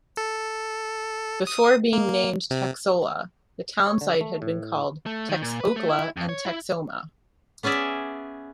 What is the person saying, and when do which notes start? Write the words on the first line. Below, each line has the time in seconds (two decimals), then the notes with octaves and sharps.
Before being named Texola, the town site had been called Texokla and Texoma.
0.17 A4
1.47 D#6
1.93 A#3
2.51 C3
3.87 C#5
4.01 D3
4.21 A3
4.42 A2
5.06 A3
5.29 D#3
5.42 A#2
5.60 B4
5.76 A3
5.89 E4
6.17 F2
6.29 C#5
6.46 E4
7.63 B3 C#4 G#4 D5 E5